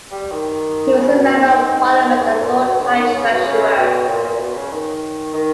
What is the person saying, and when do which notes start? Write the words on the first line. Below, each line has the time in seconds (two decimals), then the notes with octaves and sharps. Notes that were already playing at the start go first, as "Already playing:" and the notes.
He was a Member of Parliament and Lord High Treasurer.
0.11 G3
0.32 D#3
0.95 C#3
1.15 B2
1.37 G#2
2.20 G#2
2.41 A#2
2.62 B2
2.79 D#3
2.83 C#3
2.98 D#3
3.14 C#3
3.30 B2
3.45 C#3
3.77 B2
4.08 A#2
4.25 A#2
4.36 A#2
4.40 B2
4.55 C#3
4.72 D#3
5.34 D#3